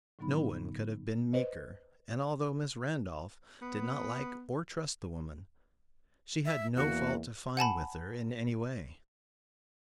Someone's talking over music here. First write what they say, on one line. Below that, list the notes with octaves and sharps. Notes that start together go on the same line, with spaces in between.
No one could have been meeker, and although Miss Randolph did not like or trust the woman, she had no fault to find with her in any way.
A2 D3 F#3 B3 D#4 B5
B4 C5 D#5
B3
E5
E2 A#3 F#4
F#5 G#5 A5 B5